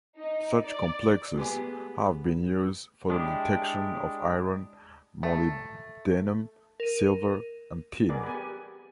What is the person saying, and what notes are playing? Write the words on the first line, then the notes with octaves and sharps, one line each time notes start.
Such complexes have been used for the detection of iron, molybdenum, silver, and tin.
D#4
D5
G#3 A3 B3 C#4 G4 G#4
G#3 D4 E4 G4
A3
A#4 D#7
B3 G#4 A#4 D5
B4 G#5
G4